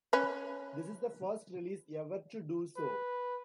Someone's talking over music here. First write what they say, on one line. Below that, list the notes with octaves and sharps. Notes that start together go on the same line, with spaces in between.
This is the first release ever to do so.
C#4 B4
B4